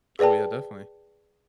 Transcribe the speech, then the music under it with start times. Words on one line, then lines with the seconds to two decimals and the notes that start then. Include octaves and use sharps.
Oh yeah, definitely.
0.19 G#4 B4 D5 G5 A5